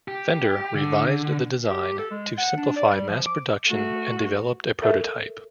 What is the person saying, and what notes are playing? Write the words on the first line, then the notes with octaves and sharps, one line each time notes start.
Fender revised the design to simplify mass production and developed a prototype.
G4
D3
G4
A4
G#3
F#5
D4
D5
G3
F3
D6
A3 F#4
A4 A#4 E5